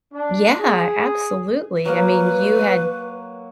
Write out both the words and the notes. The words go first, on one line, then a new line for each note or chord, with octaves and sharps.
Yeah, absolutely, I mean, you had
D4
G#4
F#3 A#3 B4